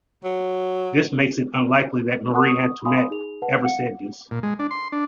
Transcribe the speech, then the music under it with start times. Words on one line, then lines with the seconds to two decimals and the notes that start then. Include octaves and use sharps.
This makes it unlikely that Marie-Antoinette ever said this.
0.24 F#3
2.34 A#4 F#5 A5 D#6 F#6
2.47 C#6 D#6
2.85 F5 G#5 B5 C6 D#6
3.10 D#4 G#4 F7
3.42 B4 F#5 A5
3.64 F5 F#5 C#7
4.31 A#2
4.43 G#3
4.59 D4
4.71 C6
4.92 D4